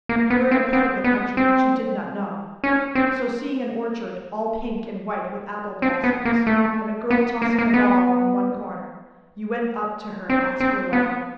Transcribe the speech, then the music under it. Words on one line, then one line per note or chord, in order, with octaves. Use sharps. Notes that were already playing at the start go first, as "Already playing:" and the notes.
You were in a part of the country which you did not know, so seeing an orchard all pink and white with apple-blossoms, and a girl tossing a ball in one corner, you went up to her to ask your way.
A#3
B3
C4
C4
B3
C4
C#4
C4
C4
B3
A#3
A3
B3
A#3
A#3
B3
C4
C4
B3